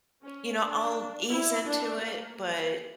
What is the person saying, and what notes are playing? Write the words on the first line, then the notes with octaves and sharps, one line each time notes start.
you know, I'll ease into it, but
C#4
D4
E4
D4
A#3